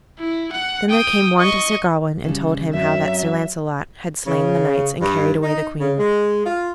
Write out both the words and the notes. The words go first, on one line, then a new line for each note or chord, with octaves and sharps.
Then there came one to Sir Gawain and told him how that Sir Launcelot had slain the knights and carried away the queen.
E4
F#5
G5 D#6
D#5 C#6
C#3 G3
F#2 F#3 C4 E5
C#3
G2
D#4
C#3
G#3
F4